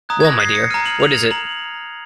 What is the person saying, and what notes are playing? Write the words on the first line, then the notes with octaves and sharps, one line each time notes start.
Well, my dear, what is it?
A#5 D#6 F#6 G#6
G#6
A#6
C7
C#7
A#5 F6 D#7
F#7
F7
F7
A#5 F#7